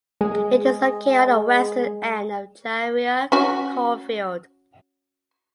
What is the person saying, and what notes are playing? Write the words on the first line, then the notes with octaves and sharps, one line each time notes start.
It is located on the western end of Jharia Coalfield.
G#3 G#4
C#4 F#4 G#5